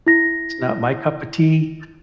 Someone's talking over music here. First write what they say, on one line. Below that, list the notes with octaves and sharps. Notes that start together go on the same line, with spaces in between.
It's not my cup of tea
E4 A#6